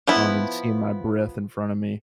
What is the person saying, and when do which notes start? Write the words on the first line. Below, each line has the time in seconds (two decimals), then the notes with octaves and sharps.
um, and seeing my breath in front of me.
0.07 F3 B3 E4